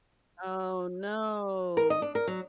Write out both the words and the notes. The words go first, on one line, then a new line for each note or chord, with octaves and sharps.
Oh, no.
A#4
D#5
D4
A#4
F#3